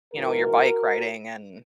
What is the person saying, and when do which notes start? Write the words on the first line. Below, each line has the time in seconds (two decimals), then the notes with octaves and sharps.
you know, your bike riding and
0.13 G#2 E3 F#4 A#4